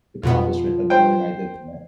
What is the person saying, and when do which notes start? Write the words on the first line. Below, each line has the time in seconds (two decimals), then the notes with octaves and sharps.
accomplishment of knowing I did that.
0.23 F2 B2 F3 B3
0.90 C5 G5